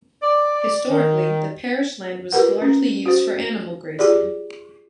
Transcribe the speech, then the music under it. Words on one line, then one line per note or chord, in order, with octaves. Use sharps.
Historically, the parish land was largely used for animal grazing.
D5
D#3
F4 G4 A#4 B4 F#5
C#4
F#4 C5
F4 G4 G#4 D5